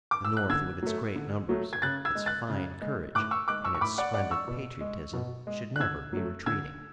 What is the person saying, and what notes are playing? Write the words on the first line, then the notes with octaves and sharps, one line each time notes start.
The North with its great numbers, its fine courage and its splendid patriotism should never be retreating.
D6
E6
F#6
D3 E6 G#6
F#3 A3
D3
F#3 A3
G#6
C#3 F#6 A6
E6 G#6
G#3
F#6 A6
C#3
G#3
A2 D6 F#6
C#6 E6
G#3 D6 F#6
C#6 E6
C#6
A2 B5 D6
D5 F#5
G#3 D5 F#5
C#6 E6
B2
G#3
B2
G#3
F#6
D3 E6 G#6
F#3 A3
D3 E6 G#6